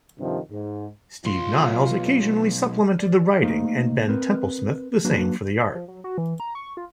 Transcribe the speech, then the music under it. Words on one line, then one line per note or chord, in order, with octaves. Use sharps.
Steve Niles occasionally supplemented the writing and Ben Templesmith the same for the art.
G2 C3 D#3 F3
G#2
B1 F4 C6
D5
A3 A#3 D#4 C5 D#5 F5
C4 A#4 B4
F#3 A#3 D4 F#4 B4
F3
F#3
F#4
E3
A#5
C#6
F4